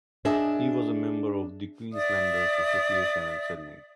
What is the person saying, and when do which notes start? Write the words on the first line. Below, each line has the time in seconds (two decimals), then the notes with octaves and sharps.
He was a member of the Queenslanders' Association in Sydney.
0.25 D4 G#4 D#5 E5
1.93 D5 E5 D#6